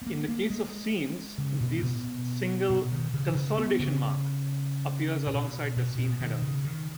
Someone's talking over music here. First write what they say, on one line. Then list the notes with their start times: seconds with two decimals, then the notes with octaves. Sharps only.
In the case of scenes, this single "consolidation mark" appears alongside the scene header.
0.02 B3
0.07 A#3
0.28 A#3
0.50 G#3
1.38 C#3
1.61 B2
1.78 C#3
1.82 B2
2.70 B2
2.92 D#3
3.14 C#3
3.35 C#3
3.58 B3
3.79 C#3
5.27 A#2
5.33 B2
5.77 B2
5.99 B2
6.20 D#3
6.42 C#3
6.65 D#3